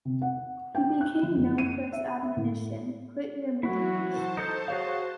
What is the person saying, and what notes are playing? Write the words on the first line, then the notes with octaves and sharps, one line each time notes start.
He became known for his admonition, Quit Your Meanness.
C3
F#5
G5
F#6
F3
F#1
D#7
E5
E5
A2
E3 F#3 E4 F#4
C5 A5
D#4 A4 G6
F#4 G#4 C#5 F5